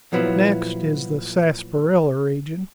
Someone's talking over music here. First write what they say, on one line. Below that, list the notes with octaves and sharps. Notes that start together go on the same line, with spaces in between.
Next is the sassparilla region.
A#2 F3 F#3 B3 E4